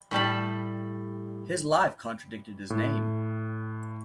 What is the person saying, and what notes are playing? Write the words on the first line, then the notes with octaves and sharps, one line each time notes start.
His life contradicted his name.
A2 G3 A5 B5
A2